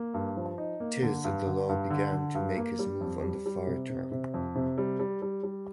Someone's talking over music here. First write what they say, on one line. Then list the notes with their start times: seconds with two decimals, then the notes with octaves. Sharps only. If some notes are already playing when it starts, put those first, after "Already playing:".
Tiz the Law began to make his move on the far turn.
Already playing: A#3
0.14 G2
0.37 F3
0.58 D#4
0.80 A#3
1.02 D3
1.24 G2
1.47 D3
1.69 G2
1.90 D3
2.12 D3
2.35 G2
2.57 A#3
2.79 G3
3.01 F2
3.23 G3
3.46 G3
3.67 C3
3.90 C3
4.12 C3
4.34 F2
4.55 C3
4.78 G3
5.00 G3
5.22 G3
5.43 G3